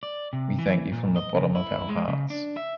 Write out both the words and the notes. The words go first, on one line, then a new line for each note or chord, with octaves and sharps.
We thank you from the bottom of our hearts.
D5
C3
E3
A#2
D#5
C#3
E4
G#3
C#3
D4
E5